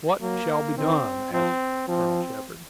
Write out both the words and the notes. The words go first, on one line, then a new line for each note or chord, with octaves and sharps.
"What shall be done?" asked Colonel Shepard.
F#3 A#3
D#3 C4
F3 C4
F3 C4